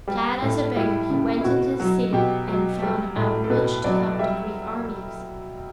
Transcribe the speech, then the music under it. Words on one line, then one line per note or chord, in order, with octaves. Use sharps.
Clad as a beggar he went into the city and found out much to help the Greek armies.
G3
A2
G3 E4
C#3
E4
B2 F#4
F#3
B2 G4
F#3
G3
A2
A4
B2 B4
F#3 D5
G3 E5